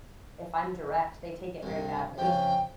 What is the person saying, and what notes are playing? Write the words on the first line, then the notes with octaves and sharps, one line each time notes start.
if I'm direct, they take it very badly.
C2 G2
F2 C#3 G5